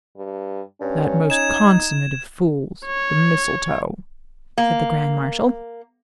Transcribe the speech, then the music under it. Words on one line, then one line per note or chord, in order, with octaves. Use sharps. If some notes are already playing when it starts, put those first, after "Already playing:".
"That most consummate of fools, the Mistletoe," said the Grand Marshal.
G2
G2 C#4
D#4 G#6 E7
C#5
A#3